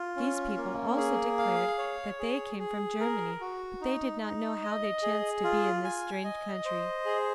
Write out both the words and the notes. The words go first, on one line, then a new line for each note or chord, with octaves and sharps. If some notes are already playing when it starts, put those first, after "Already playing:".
These people also declared that they came from Germany, but they did not know how they chanced to be in this strange country.
Already playing: F4
C#4
A#3
G#4
F5
C#5
G#4
G#4
A#4
F#4
D#4
D#4
D#5
G#4
F4
G#5
D#5
C5
G#4